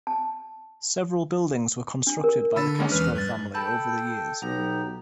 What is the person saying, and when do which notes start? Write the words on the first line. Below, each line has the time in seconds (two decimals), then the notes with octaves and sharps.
Several buildings were constructed by the Castro family over the years.
0.07 A5
2.07 D4
2.24 A#4
2.56 D3 D4 B5 E6 A6
2.79 G#3 A#3 C#4
2.92 E2 E3 B4 F6
3.15 G2 G3 A6
3.54 A4 G5 A5 B5 G6
4.42 B1 B3 G4 A#5